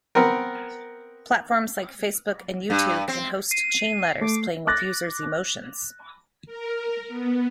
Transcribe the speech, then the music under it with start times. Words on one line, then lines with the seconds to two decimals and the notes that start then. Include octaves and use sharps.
Platforms like Facebook and YouTube can host chain letters playing with users' emotions.
0.15 B3 C4 A#4
2.70 G2
3.08 C4
3.51 C7 D#7
4.21 A3 D6
4.67 D6 F#6 A6 A#6
6.46 A#4
7.08 B3